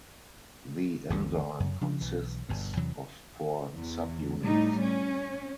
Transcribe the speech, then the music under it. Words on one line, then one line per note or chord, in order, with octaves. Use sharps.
The enzyme consists of four subunits.
G1 D2 D3 E3
F#2
C#3 F3 D4
B1 E3
G1 G2 B2
E2 C3 E3 F#3
E2
A2 G3 D#4
C#4